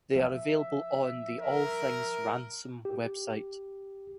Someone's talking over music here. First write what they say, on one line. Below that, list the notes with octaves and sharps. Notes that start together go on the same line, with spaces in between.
They are available on the "All Things Ransome" website.
F3 E5
A#4
G4